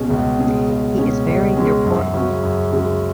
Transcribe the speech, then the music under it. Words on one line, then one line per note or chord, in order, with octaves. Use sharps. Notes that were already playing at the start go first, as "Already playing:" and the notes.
He is buried near Portland.
Already playing: C#2 B2 G#3 C#4 G#4
C#2
B2 G#3 C#4 G#4
C#2
B2 G#3 C#4 G#4
C#2
B2 G#3 C#4 G#4
F#2
C#3 G#3 C#4 F#4
F#2
C#3 G#3 C#4 F#4